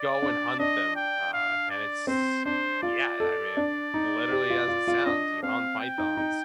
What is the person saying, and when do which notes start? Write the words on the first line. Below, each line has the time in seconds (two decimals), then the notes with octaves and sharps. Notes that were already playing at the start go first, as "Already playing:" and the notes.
go and hunt them, uh, and it's yeah, I mean, literally as it sounds, you hunt pythons.
Already playing: D5
0.22 D4
0.59 D4 D#5
0.96 G5
1.33 F5
1.70 D5
2.07 C4 C5
2.45 D4 C5
2.82 F4 D5
3.20 A4
3.57 D4
3.94 D#4
4.31 G4
4.50 F4
4.68 F4
4.88 F4
5.06 D4 D#5
5.43 C4 F5
5.80 G5
5.98 D#4
6.17 D#4